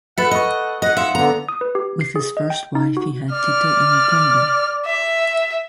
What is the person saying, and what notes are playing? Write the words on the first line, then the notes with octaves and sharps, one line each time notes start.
With his first wife he had Tito and Nikombe.
A3 A4 B4 E5 F#5 A6 C#7
D#5 B5 C#6
G#2 D#4 D#5 F#5 A#6
E5 F5 C6 C#7
D3 B3 A#5
D#6
B4
G4
C7
G#4
D#5
G5
D#4
F#4
D5 F6
E5